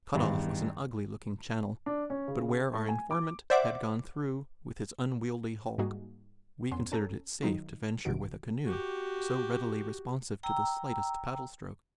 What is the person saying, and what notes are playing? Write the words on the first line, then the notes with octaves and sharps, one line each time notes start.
The cut-off was an ugly looking channel; but where our informant had gone through, with his unwieldy hulk, we considered it safe to venture with a canoe, so readily responsive to the slightest paddle-stroke.
E2 G2 D#3
D4
C#4
C#3
A3
G#5
D6
C5 D5 E5 F#5 D6
G#2 G3 A#3 D#4 F#4 G#4
F2 B3 C#4 C6
C#4 A4 A#5
D#3 F#3 G#3 D#4 F4
A1 C3 D#3 F#4 D7
F#4 G4
G5 A#5 E6